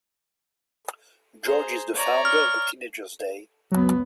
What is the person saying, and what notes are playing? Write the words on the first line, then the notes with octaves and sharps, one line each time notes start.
George is the founder of the teenager's day.
G#4 C5 A#5
C#5 D5 A#5
F6
C#2 F#2 F#3 B3